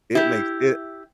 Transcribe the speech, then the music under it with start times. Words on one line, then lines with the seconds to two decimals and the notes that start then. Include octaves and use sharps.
it makes it
0.15 E4 G4